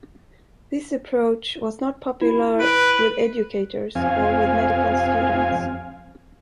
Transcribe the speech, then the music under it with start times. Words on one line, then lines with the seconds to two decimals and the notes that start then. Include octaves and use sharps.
This approach was not popular with educators or with medical students.
2.21 E4
2.60 B4 D7
3.95 F2 C4 F5 G#5